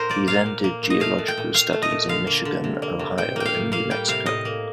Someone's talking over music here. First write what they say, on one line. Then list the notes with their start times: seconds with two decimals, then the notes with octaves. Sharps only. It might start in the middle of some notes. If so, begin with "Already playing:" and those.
He then did geological studies in Michigan, Ohio, and New Mexico.
Already playing: A#2 A#4 C5
0.09 A#3 D5
0.28 A#2 F5
0.46 A#2
0.64 A#3
0.83 A#2
0.90 D#5
1.00 A3 F5
1.18 A#2
1.28 G5
1.37 A#2
1.54 A#2 F5
1.73 A3
1.82 D#5
1.91 A#2
2.09 D3 F5
2.27 A#3
2.45 D3
2.64 C3
2.82 A#3
2.99 C3
3.18 A2 G5
3.36 A#3 G5
3.45 F5
3.54 A2
3.72 A#3 F5
3.90 G3 G5
4.08 C3 F5
4.26 A2 D#5
4.45 A#3